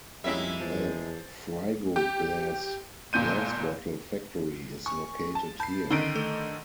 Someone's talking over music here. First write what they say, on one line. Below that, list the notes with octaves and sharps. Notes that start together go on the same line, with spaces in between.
A Frigoglass glass bottle factory is located here.
F2 G3 G#3 A#3 C#4 E4 E5
E2 F3
G4
G1 A#2 G6 D#7
G#5 C#6
A5
A5 B5 G6 C7
D3 D#3 C#4 D4 D7 G7
A3 A4